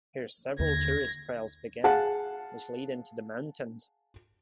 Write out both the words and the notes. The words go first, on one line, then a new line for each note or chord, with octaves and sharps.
Here several tourist trails begin, which lead into the mountains.
D#2 D3 G#6 A#6
G#4 F5 F#5 A5